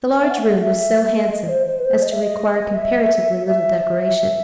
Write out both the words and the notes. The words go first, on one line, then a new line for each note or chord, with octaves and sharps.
The large room was so handsome as to require comparatively little decoration.
E5
F#5
E5
E5
D#5
C5
C5
B4
C5
D#5
E5
D#5
E5
E5
E5